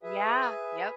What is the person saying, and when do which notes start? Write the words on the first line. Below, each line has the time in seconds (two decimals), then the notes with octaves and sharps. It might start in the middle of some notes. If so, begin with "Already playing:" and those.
Yeah, yep.
0.03 G#4 B4 E5 G#5